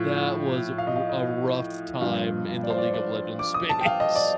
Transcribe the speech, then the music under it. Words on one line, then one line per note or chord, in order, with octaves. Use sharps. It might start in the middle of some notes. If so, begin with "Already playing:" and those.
That was a r a rough time in the League of Legends space.
Already playing: A2 F3
F5
D#5
F5
D#5
G2 F3
D5
C5
D5
D5
D6
D#6
A5
G5
F5
D#5
D5